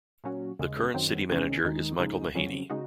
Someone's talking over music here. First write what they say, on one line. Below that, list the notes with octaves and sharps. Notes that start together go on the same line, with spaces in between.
The current City Manager is Michael Mahaney.
A#2 F#3 C#4 F#4
D#2 C#3 G#3
F#2 D#3 F#3 C4
C#2 C3 D#3 G#3 C#4
D#2 D#3 G#3 D#4
C#2 C#3 F3 G#3 D#4
F2 C#3 F#3 C#4
C#3 G#3 D#4 F#4